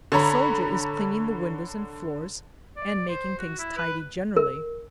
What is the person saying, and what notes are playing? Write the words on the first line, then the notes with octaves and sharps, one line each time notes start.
A soldier is cleaning the windows and floors, and making things tidy generally.
D3 C#5 A#5 B5
D5
C5
F#4
E4
B4
A#4